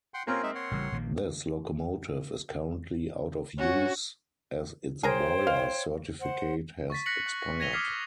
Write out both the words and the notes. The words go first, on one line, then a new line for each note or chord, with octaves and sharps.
This locomotive is currently out of use as its boiler certificate has expired.
F#5 G5 C6
A#3 C4 C#4 F4 A#4
G#3 D#4 E5
C#5 F#5 C6
A1 C#3 G3
A#1 D#3 A#3
C#4 F#4
G#4 A#4 C5 C#5 G5 A#5
F5
C5 F#5
C#6 A6 B6
F#6 A#6 B6 C#7 F#7
F#6
A#6
G#6 A#6 D#7 F7 G7
D6 D#6 F6 G#6 B6 C7